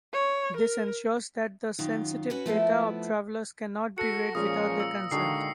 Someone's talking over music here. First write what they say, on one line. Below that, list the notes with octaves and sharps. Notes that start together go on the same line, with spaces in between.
This ensures that the sensitive data of travelers cannot be read without their consent.
C#5
A#4
F#2 D#3 F4
C#4 F#4 B4
F3 A3 B3 E4
F#4 A4 A#6 C#7
A#2 F3 G#3 C#4 D#6
E6
D3 D#3 G#3 A#3 F#4 D#6 C7